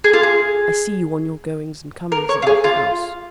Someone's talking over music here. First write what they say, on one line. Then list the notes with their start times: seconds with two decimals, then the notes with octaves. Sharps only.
I see you on your goings and comings about the house.
0.04 G#4
0.13 F4
0.23 G#4
2.12 A#4
2.29 C#5
2.42 F4
2.47 G#4
2.64 F4